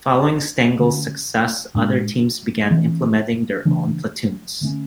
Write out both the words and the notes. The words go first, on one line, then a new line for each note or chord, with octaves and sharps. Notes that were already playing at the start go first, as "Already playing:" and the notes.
Following Stengel's success, other teams began implementing their own platoons.
D3 A3 C#4
A2 G#3 D4
E3 A3 C#4
C#3 E3 A3 D4
D3 A3 C#4